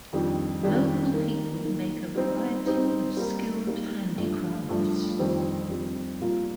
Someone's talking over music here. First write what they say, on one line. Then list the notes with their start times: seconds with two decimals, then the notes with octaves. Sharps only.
Local people make a variety of skilled handicrafts.
0.13 F2 D#3 G3 D4 G4
0.63 F2 D#3 G3 D4 G4
1.14 D#3 A#3 D#4 A#4
1.65 D#3 A#3 D#4 A#4
2.15 G3 C4 D#4
2.66 G3 C4 D#4
3.17 G3 A#3 D#4 A#4
3.67 G3 A#3 D#4 A#4
4.18 G2 F3 A3
4.69 G2 F3 A3
5.19 F2 D#3 G3 C4
5.70 F2 D#3 G3 C4
6.20 A#2 G3 A#3 F4